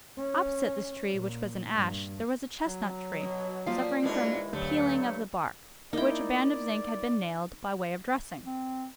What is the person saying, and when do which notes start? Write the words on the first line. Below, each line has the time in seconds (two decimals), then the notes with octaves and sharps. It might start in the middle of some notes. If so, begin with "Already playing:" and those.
Opposite this tree, which was an ash, there was a chestnut-tree, suffering from a peeling of the bark, to which a band of zinc had been nailed by way of dressing.
0.18 C#4
1.13 A#2
1.74 G2
2.66 F#3
3.21 B2
3.66 F3 G3 A#3 F4 F5
4.03 D#2 G#2 E3 F#3 G#3 D4
4.53 D2 G2 F#3 A3
5.93 A#3 D#4 E4 D5 G5
8.46 C4